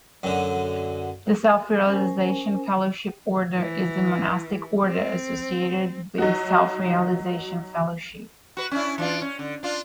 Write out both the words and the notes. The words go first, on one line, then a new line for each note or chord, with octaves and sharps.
The Self-Realization Fellowship Order is the monastic order associated with Self-Realization Fellowship.
F#2 D3
C#4 A#4 C5 G#5
E3
C4
F#3 D#4 F#4
F#4 B4
C#4 D4 E4
E3 D4 F4
C#4
D3
D4 F4